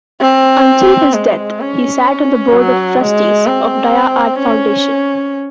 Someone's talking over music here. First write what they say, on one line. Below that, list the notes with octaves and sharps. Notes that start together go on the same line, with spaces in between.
Until his death, he sat on the Board of Trustees of Dia Art Foundation.
C4
G#3
C#4
F#3
G#3
C4
C#4